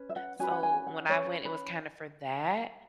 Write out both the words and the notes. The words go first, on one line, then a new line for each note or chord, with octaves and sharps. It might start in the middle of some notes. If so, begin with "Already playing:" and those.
So when I went, it was kinda for that.
Already playing: C#4 B4
E5
F#5
C#4 F#4 B4 G#5
F#5
G#5
F#5
C#4 G#4 B4 C#5
B4